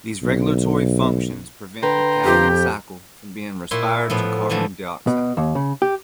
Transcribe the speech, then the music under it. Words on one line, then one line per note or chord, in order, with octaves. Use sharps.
These regulatory functions prevent the Calvin cycle from being respired to carbon dioxide.
B1
D3 B4 G5 A#5 C6
F2 G4
A#2 E4 C#5 C6
A2 F3 B3
D3 E3 F3 A3
B2
D#2
C#3
G4